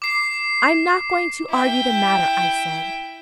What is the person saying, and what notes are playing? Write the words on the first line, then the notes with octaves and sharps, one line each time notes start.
'I am not going to argue the matter,' I said.
D6 C7
E4 G5